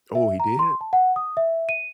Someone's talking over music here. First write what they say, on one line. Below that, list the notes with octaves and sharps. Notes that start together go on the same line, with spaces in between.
Oh, he did?
E5
A#5
C6
A5
F#5
D#6
E5
D#7